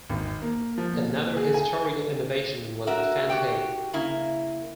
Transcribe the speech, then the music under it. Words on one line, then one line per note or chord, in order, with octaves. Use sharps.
Another historical innovation was the fantail.
G#1
A#3
F3
A#2
G#4
G#5
F#4 A#4 E5
F#4 G4 G5
C#3 A#3 E4